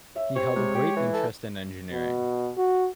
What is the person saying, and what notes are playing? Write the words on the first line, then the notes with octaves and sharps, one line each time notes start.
He held a great interest in engineering.
C#5 E5
C4 G4 C#5
C3 G#3
G4
E3
A4
B2
F#4